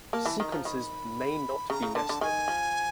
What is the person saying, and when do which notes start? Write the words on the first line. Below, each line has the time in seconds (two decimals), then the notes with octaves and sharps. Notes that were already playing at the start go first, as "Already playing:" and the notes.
Sequences may not be nested.
0.13 A#3 A5
0.26 E3
0.39 D#3 A#5
0.52 F3
0.65 D#3 B5
1.70 C#3 A#5
1.83 C#3
1.95 D3 A5
2.09 D3
2.21 D#3 G#5
2.48 F3